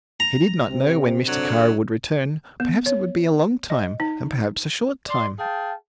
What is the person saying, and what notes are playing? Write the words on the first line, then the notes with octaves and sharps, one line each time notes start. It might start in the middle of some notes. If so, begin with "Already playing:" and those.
He did not know when Mr. Kara would return, perhaps it would be a long time and perhaps a short time.
A#5
C3 C4
D3 F#3
B3
C#5
D#5
D#4
D5 C6
G#4 F5 G5 A5